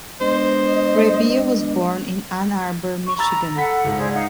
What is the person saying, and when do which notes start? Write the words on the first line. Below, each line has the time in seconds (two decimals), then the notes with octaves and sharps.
Krehbiel was born in Ann Arbor, Michigan.
0.21 G#3 B3 D4 C5 D#5
3.07 C#6
3.18 A#5 B5 E6 A6
3.55 A4 F#5 A#5 B5 B6
3.84 C#2 G#2
3.97 G#4 C5 D5
4.14 D#4 D#5 F5 F#5